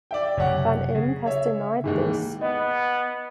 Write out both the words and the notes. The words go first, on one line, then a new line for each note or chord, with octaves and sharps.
Van Impe has denied this.
D5 E5 G5
F#1 C3 C#5 F#5
C#3
C#5 E5
D#2 G#2 E3
B3 D#5